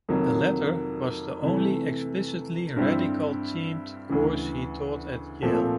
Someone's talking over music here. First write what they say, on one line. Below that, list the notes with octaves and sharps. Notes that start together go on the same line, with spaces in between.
The latter was the only explicitly radical-themed course he taught at Yale.
F2 C3 D#3 F#3 A#3
C3 E3 A3
G2 D3 G3 C4 E4
D2 C#3 E3
A#2 F3 A3 C4